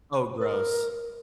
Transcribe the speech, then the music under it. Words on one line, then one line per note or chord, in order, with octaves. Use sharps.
Oh, gross.
B4
A#4